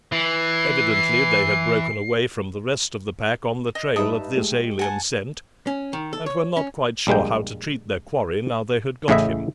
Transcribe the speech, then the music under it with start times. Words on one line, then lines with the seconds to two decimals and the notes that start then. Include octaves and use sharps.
Evidently they had broken away from the rest of the pack on the trail of this alien scent, and were not quite sure how to treat their quarry now they had got him.
0.12 E3 C7
3.75 D#5
3.96 G2 D#4 B4 E5 A5 D#6
4.36 G#3 A3 G4
4.79 F#5 G#5 A5
5.67 C#4
5.93 D#3
6.13 A4
6.26 C#5
6.57 C#4
7.07 A#1 G3 G#3 A#3 G5
9.08 A1 A2 C#3 E4 D#5 E5